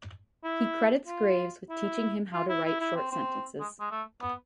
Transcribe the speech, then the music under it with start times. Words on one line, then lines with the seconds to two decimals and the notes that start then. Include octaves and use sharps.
He credits Graves with teaching him how to write short sentences.
0.44 E4
1.06 F4
1.70 E4
2.33 F4
2.49 E4
2.65 E4
2.80 E4
2.96 C4
3.11 C4
3.60 G#3
3.80 G#3
3.91 A3
4.22 B3